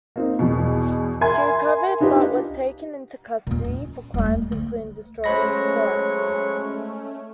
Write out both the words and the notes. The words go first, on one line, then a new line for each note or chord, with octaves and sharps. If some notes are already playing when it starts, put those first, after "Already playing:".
She recovered, but was taken into custody for crimes including destroying Qurac.
A#3 C4 D#4
E2 B2
A#4 E5 G#5 B5 C6 G#6
D4 D#4 F4 G4 B4
D#2 A#2
C#4
D#1 G3
A3
D2
F#3 G#3 A3 C#4 C5 B5 C#6 A#6